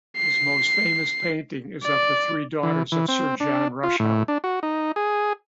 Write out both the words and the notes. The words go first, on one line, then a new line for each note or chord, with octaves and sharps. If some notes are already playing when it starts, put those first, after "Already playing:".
His most famous painting is of the three daughters of Sir John Rushout.
C7
D5
E3
E3
C4
D4
F4
A2
D4
F#4
D#4
G#4